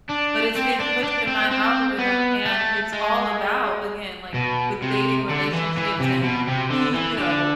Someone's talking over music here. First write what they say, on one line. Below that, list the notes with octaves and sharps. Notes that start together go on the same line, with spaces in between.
but it's being pushed in my algorithm. And it's all about, again, like, with dating relationships and, who you know,
D4
C4
D4
D4
C4
C4
B3
A3
G#3
B2
C3
D3
E3
E3
C3
B2
C3
D3
E3
D3